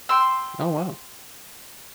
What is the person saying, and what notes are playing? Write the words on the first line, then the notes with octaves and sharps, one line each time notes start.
Oh wow.
G5 C6 E6